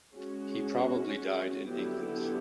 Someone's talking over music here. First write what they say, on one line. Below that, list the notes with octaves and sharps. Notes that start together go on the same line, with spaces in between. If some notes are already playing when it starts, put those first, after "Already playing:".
He probably died in England.
G#3 C#4 F#4
D3 F#3 B3 E4 G4